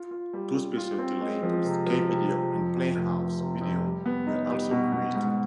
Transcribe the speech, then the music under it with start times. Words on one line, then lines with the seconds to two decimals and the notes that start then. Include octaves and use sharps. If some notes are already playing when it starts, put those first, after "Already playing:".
Two specialty labels, Key Video, and Playhouse Video, were also created.
Already playing: F4
0.11 F4
0.33 G3
0.55 G3
0.77 F4
0.98 C4
1.21 G#3
1.43 F3
1.64 C3
1.86 F3
2.09 C3
2.30 F3
2.51 F2
2.74 F2
2.96 F1
3.18 C3
3.40 C3
3.61 F2
3.84 G3
4.06 B3
4.27 D#4
4.49 G3
4.71 B2
4.92 B2
5.14 G#2